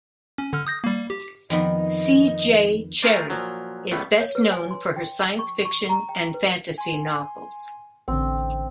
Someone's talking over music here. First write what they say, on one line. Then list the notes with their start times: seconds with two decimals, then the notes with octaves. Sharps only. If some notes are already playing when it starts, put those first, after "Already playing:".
C. J. Cherryh is best known for her science fiction and fantasy novels.
0.38 C#4
0.53 D3 F6
0.67 D#6 G6 A#6
0.84 G3 A#3
1.10 G4
1.50 F2 D#3 B3 D#5
3.02 A3 F4 G#4 A#4 C5 D5
3.30 A#2 F3 F#3
3.91 C#2 G3 A3 B3
4.20 C#5
4.35 B4
4.52 G#5
4.71 C6
4.96 G5
5.21 A5
5.39 C#6
5.65 C#6
5.89 A#5
6.09 G5
6.34 B4
6.78 G#5 C6
8.08 A1 D3 C4